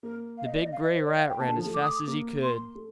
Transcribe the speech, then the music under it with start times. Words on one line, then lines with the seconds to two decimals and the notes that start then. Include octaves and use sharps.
The big grey rat ran as fast as he could.
0.03 A#3 A#4
0.38 F5
0.45 D#5
0.53 D5
0.61 D#5
0.72 F5
0.83 D#5
0.94 C5
1.06 D5
1.17 F5
1.29 G5
1.39 A#3 A5
1.48 D3
1.57 F3
1.65 A3
1.74 D6
1.81 D#6
1.88 D6
2.07 A#3
2.42 C6
2.75 A3